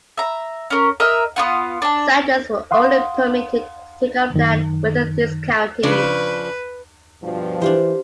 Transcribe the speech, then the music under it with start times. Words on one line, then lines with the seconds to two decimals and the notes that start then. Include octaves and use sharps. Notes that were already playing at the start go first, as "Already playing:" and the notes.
Settlers were only permitted to take up land within these counties.
0.17 E5 A#5
0.70 C#4 A#4
1.00 A#4 D#5 E5 A#5
1.36 B3 F4 F#5
1.82 D4 A5
2.71 F5 F#5 C6 D#6
4.34 F#2 D#3
5.83 C#3 F3 D4 B4
7.22 G2 B2 F3
7.62 E3 D4 F4 G4 C5